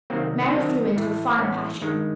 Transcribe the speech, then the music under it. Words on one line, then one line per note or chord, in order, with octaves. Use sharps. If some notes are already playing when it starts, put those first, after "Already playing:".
Mary flew into a fine passion.
C2 C3 D#3 F#3 A#3 C4
D#4
C2 C3 D#3 F#3 C4 D4
A2 E3 A3
A2 E3 A3 B3 C#4
G2 D#3 G#3